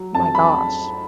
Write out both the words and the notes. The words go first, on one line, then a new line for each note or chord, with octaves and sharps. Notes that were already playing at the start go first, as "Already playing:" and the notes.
my gosh,
Already playing: F#3
F2 A5
B5